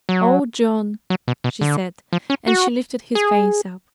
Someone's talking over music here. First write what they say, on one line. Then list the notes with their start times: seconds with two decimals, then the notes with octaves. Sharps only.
'Oh, John!' she said, and she lifted his face up.
0.09 F#3
1.10 F#3
1.28 B2
1.44 B2
1.61 D3
2.13 F3
2.30 C#4
2.47 F#4
3.15 G#4